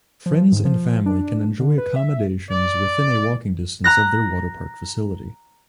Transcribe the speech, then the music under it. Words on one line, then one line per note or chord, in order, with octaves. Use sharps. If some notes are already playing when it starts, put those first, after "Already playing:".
Friends and family can enjoy accommodations within a walking distance of their waterpark facility.
F3
G#2
F3
D4
D3
B4
E5
D5
A#5 F#6 A#6